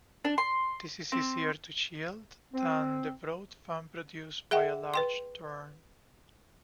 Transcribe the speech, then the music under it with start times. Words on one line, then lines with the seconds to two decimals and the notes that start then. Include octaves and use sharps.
This is easier to shield than the broad fan produced by a large turn.
0.25 D4
0.38 C6
1.12 C4
2.53 C4
4.51 G#4 E5 F#5 G5
4.94 B4 G5 C6